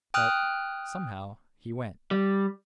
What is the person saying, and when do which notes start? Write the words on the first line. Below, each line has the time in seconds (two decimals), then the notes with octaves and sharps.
But, somehow, he went.
0.14 G5 D#6 F6 F#6
2.11 G3